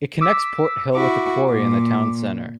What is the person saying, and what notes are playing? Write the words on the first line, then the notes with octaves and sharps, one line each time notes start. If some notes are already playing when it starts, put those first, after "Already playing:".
It connects Porthill with the Quarry and the town centre.
D6 E6 B6
E4 F#4 D6
A#2